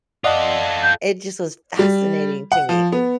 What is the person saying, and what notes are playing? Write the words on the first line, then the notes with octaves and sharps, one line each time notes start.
it just was fascinating to me.
F4 A4 D5 D#5 F#5
G6
G3
F#5
F3
B3